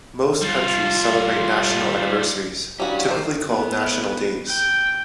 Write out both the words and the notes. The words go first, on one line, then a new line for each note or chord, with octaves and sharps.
Most countries celebrate national anniversaries, typically called national days.
G3 F4
C#4 D4 E4 F#4 G4 D5 F5
A3 F#4 G4 A#4 C5
B3
G5